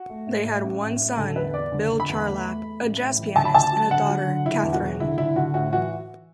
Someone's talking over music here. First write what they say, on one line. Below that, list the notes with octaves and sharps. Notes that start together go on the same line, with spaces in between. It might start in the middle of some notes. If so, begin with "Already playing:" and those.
They had one son, Bill Charlap, a jazz pianist, and a daughter, Katherine.
Already playing: F#4
A3
A2
A2
A1
A1
A2
D3 A4
E2 B4
E2 D5
D3
D3
B5
E2
A3
A3
A3
A1
A2
E3
D2 A5
B5
D2 A5
F#3
D3 F#5
F#3
D3
D3 E4
E2
F#4
E1
D3 E4
D3 E4
D3 F#4
A2 F#4
E3 F#4